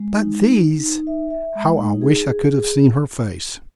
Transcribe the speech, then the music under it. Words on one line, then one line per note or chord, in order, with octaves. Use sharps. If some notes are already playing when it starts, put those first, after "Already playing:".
"But these--" How I wish I could have seen her face!
Already playing: G#3
D#4
D#4
D#4
D#4
E5
E5
G#3
D#4
G#4
G#4
G#4